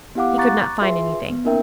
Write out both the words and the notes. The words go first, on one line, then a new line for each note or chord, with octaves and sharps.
He could not find anything.
B3 E4 G4 F5 F#5 D6
A#5 C#6 D6 F#6 A6
F4 G#4 B4 E5 C6
B3
A#3 C#4 D#4 A#4 E5 G5